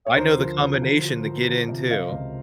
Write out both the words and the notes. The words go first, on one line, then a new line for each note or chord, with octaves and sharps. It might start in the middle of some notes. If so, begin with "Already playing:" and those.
I know the combination to get in too.
C#5
D2 A#4 C5
F3
D2
D2
F3
F3
F3
C3
C3 D#5 F5
C#2